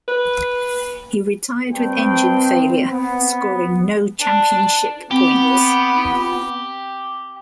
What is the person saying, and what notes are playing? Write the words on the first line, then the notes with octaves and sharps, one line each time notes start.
He retired with engine failure, scoring no championship points.
B4
G2 C4 G5
B3
D4
B3 C4 G4